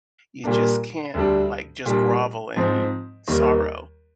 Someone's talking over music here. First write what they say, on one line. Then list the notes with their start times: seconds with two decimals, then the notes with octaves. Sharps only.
You just can't, like, just grovel in sorrow,
0.44 A#2 G3 A#3 D4
1.14 D2 D3 G3 D4
1.86 A#2 G3 D4
2.57 G#2 F3 C4
3.28 D#2 D#3 G3 A#3